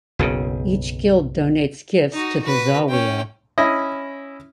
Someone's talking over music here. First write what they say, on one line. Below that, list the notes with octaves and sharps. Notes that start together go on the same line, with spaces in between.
Each guild donates gifts to the zawiya.
F#1 B1 C#3
D#4 F#4
F#4 B4
C#4 G5
C#4 E4 D#5